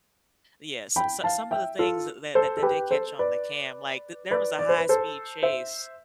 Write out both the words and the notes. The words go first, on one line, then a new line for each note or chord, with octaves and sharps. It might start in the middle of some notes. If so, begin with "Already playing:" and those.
yeah, so so some of the things that that that that they catch on the cam, like, the there was a high-speed chase
G5 B5
F5 A5
E5 G5
F4 A4
A4 C5
A4
G4 B4
A4 C5
B4 D5
B4 D5
D5
C5
B4
A4 C5
C5 E5